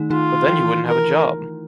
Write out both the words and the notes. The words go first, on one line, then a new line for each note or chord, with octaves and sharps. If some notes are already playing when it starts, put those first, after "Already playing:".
But then you wouldn’t have a job.
Already playing: D#3 A3 D#4
D#3 D#4 F4
E3 E4
A#4